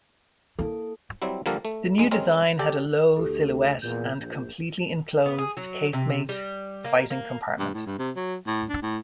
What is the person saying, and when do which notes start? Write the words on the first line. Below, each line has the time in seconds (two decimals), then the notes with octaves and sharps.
The new design had a low silhouette and completely enclosed, casemate fighting compartment.
0.59 A#3 E4 A4
1.22 F#3 G3 C4 E4
1.46 D3 F3 G3 A#3 A4 A#4
1.65 A3
1.98 B1 G#3
2.11 G#3 C4 C#4 A#4
2.59 G4 A4 D5
3.17 D2 G4 A4
3.82 E2 A#2 G6
4.18 A#1
5.26 B3
5.38 G#4
5.57 F#3
5.93 C3
6.29 G3
6.85 A#3
7.10 A#3
7.59 G2
7.74 A2
7.86 G2
7.99 C3
8.16 F#3
8.47 A2
8.69 D4
8.82 A2